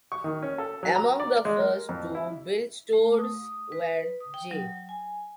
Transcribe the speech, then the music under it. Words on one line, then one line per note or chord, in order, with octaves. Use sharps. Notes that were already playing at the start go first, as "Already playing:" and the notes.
Among the first to build stores were J.
C#6
D#3
C#4
A4
F#3
A#5
D5
G#3
A#4
F2
E4
A3
D#6
B4
D#6
G5
F#3
G#5